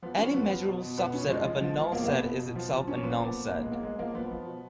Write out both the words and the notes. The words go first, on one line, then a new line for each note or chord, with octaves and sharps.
Any measurable subset of a null set is itself a null set.
F3 B3
F3 C#4
F3 B3
F3
B2
B2
B2 B3
B2 C#4
F3 G#3
F3
F3
F3
B2 A#3
A#3
B2 B3
B2
B2
F3
F3
A#2 C#4
F3 B3
A#2
A#2
A#2 A#3
G#3
A#2 A#3
A#2 G#3
F3 A#3
F3 B3
F3
B2